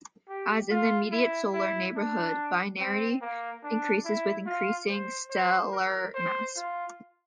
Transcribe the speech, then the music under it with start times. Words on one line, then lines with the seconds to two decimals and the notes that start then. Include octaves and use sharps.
As in the immediate Solar neighborhood, binarity increases with increasing stellar mass.
0.28 G4
0.70 F4
1.12 E4
1.54 E4
1.96 D4
2.80 C4
3.21 A#3
3.63 D4
4.05 E4
4.46 F4
4.89 C5
5.30 C5
5.72 A#4
6.14 C5
6.56 F4